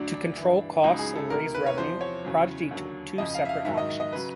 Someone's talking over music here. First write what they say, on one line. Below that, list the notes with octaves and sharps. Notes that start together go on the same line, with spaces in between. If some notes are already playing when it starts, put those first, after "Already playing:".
To control costs and raise revenue, Prodigy took two separate actions.
Already playing: D2 D3 F#3 D4
D4
G2 E3
C#2 C#3 F#3 D#4
G#4
A4
D2 C3 D#3 A#4
B4
C#5
E2 C3 F3 C5
C#5
E2 C#3 F#3
D#2 D3 F#3
F2 C#3 F3 D#5
F5
E5
F5
G#2 D#3 F#3 E5
D#5
E5
D#5
C#3 F#3 B4